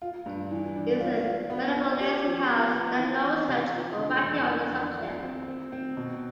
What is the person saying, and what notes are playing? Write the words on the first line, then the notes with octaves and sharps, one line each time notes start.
He is a medievalist who has done no research or writing on the subject.
F4
G2
E3
D4
F4
F4
B3
D4
G4
F3
B3
B3
E3
C4
C3
F3
D3
F2
E3
D4
F4
C4
C4
C4
B2